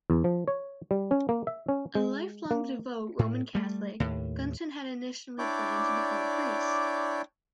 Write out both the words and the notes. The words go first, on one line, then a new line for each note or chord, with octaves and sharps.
A lifelong devout Roman Catholic, Gunton had initially planned to become a priest.
E2
F3
C#5
G3
C#4
A#3
E5
C#4
G#3
A#3
A2
G3 A3
D#2 A2
D4 E4 C#5 D5 G5 D6